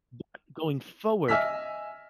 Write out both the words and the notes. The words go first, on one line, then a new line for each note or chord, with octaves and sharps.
but going forward,
D#5 E5 G#5 E6 F6 B6